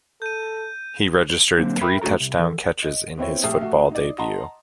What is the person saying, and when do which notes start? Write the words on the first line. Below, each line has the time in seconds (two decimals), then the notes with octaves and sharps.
He registered three touchdown catches in his football debut.
0.22 A4 G6 D#7
1.58 D3 F#3 A#3 C4 D#4
1.81 A#4 E5 G5 B5
2.02 A3 D4 F#4 A4 A#5
2.20 C2
2.39 E3 A4
2.83 D#5
3.18 B3 C4 E4 C#5
3.43 A#1 A3 G4 G5 D#6 C7
3.61 A3 F#4
3.91 D#4 D5
4.18 D#5 F#5 A5 A#5 C6